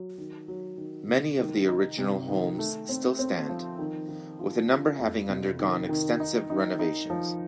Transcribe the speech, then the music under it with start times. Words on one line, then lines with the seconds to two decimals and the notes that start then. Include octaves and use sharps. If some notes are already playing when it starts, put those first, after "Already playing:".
Many of the original homes still stand, with a number having undergone extensive renovations.
Already playing: F#3
0.18 D#3
0.48 F#3
0.78 D#3
1.08 C3
1.38 D#3
1.68 D#4
1.99 C3
2.28 D#3
2.59 A3
2.89 C4
3.19 C4
3.49 F3
3.79 D#3
4.09 D#3
4.39 F4
4.69 F4
4.99 F2
5.30 C3
5.60 D#3
5.89 D#3
6.20 D#4
6.50 D#4
6.79 D#4
7.10 F3